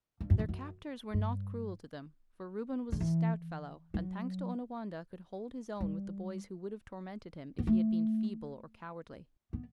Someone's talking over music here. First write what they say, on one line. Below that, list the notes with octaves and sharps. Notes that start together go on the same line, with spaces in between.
Their captors were not cruel to them, for Reuben was a stout fellow, and, thanks to Onawandah, could hold his own with the boys who would have tormented him if he had been feeble or cowardly.
G2
F#2
E2
F#2
G2
D3
E3
F#3
G3
B3
A3
B3